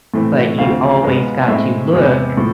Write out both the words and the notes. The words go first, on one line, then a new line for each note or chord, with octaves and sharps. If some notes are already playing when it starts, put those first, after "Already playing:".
But you always got to look
A2 E3 A3 C4
D2 D3 F3 A3 C4 F5
G#2 G#3 B3
A2 G#3 C4 E5
E2 C3 G#3 B3
A2 F3